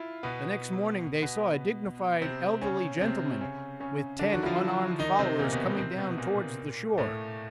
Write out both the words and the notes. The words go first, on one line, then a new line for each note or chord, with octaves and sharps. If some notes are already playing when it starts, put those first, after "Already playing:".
The next morning they saw a dignified, elderly gentleman with ten unarmed followers coming down towards the shore.
Already playing: E4 F4
B2 B3
B2 B3
C3 C4
C#3 C#4
C3 C4
C#3 C#4
C#3 C#4
D3 D4
F#3 F#4
E4
F3 F4
D#3 D#4
C3 C4
A#2 A#3
B2 B3
C3 C4
B2 B3
A#2 A#3
A2 A3